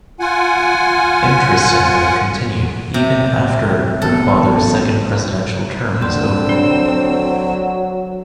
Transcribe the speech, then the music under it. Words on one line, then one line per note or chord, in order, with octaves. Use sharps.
Interest in her continued even after her father's second presidential term was over.
F4 F#5 G#5
C3
A1 B3 A4
D3 A#3 C4 C6 E6
F#3 D4